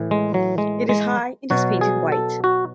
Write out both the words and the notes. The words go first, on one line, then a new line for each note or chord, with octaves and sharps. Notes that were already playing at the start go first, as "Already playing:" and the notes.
It is high and is painted white.
Already playing: A2 E3
G#3
F#3
G#3
G#3
B2 F#3 F#4
G#4
A4
F#4